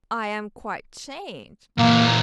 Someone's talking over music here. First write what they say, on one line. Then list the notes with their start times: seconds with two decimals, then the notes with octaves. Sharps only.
I am quite changed.
1.78 A#2 E3 A#3